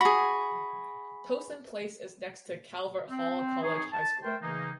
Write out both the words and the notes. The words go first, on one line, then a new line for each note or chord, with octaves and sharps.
Towson Place is next to Calvert Hall College High School.
F#4 G#4 B5
C4
F3 D#4 G#4 C#5
A5
A3 A#4 C5 G5
C#3 E3 A#3 D#4